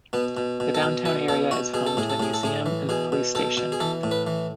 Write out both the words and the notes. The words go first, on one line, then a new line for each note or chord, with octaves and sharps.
The downtown area is home to the museum and police station.
B2 B3
B2
B2
A4
B2
B2 B4
B2 A4
B2 F#4
B2 G#4
A4
A2 G#4
A4
A2 G#4
A4
A2 G#4
E3
B2 G#4
B2
B2 A4
B2
G#4
E3 A4
A2
B4
E3